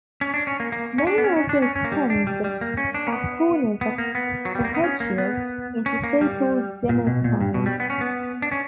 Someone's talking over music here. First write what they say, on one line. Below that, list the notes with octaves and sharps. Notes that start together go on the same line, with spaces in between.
Many also extend the backcorners of the headshield into so-called genal spines.
C#4
D4
C#4
A#3
A#3
C#4
D4
B3
C#4
C#4
D4
C#4
C#4
A#3
G3
D4
G3
G3
A#3
C#4
D4
C#4
B3
B3
A#3
B3
F#3
G3
A#3
B3
C#4
A#3
B3
C#4
A#3
G3
A#2
B2
A#2
G2
B2
G3
B3
C#4
B3
D4
C#4